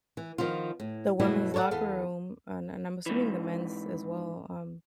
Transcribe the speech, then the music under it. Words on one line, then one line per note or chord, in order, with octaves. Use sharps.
The women's locker room, uh and I'm assuming the men's as well, um,
E3
D#3 F3 B3 F4
A2
G2 B2 F#3 G3 A3 E4
A4 A#4 C#5 D5 F#5
E2 B3 A4 F5
G#2 E3